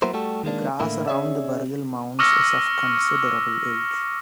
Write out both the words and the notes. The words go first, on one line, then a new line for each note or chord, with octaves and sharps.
The grass around the burial mounds is of considerable age.
F#3 A#3 B3 E4 A#4 C5
G3 A3 F#4 G4 A4
D#3 G#3 A#3 D4
A2 D3 A#3 E4
C#4 G#4 C#5 D5 E5
C#6 D6 E6 F6 A#6 C#7